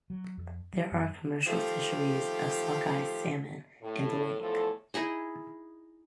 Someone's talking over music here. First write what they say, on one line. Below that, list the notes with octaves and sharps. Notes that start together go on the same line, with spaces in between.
There are commercial fisheries of sockeye salmon in the lake.
F#3
F2
G3
F#2
D#3 F3 A3 G4
A2
E2 A2 F3 A4
D#4 E4 G#4 D#5